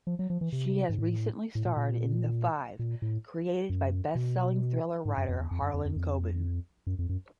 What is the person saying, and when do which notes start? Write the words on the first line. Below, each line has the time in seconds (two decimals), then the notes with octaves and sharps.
She has recently starred in The Five, created by bestselling thriller writer Harlan Coben.
0.07 F3
0.19 F#3
0.30 F3
0.41 E3
0.52 C3
0.89 G#2
0.98 A2
1.55 A2
1.65 A#2
1.77 A#2
2.79 A#2
3.02 A2
3.70 F#2
4.15 B2
5.05 G#2
5.17 F#2
5.29 F2
5.39 E2
5.51 F2
5.62 F#2
5.74 F2
5.85 F2
5.96 F2
6.87 F#2
6.99 F2
7.09 F#2